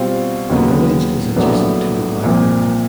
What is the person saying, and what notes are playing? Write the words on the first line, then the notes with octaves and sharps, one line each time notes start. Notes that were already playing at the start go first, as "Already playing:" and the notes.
The village is adjacent to the Black River.
Already playing: B2 G3 C4 F4
D#2 C#3 F#3 B3
A#1 A2 F#3 B3 D4
C2 A#2 F3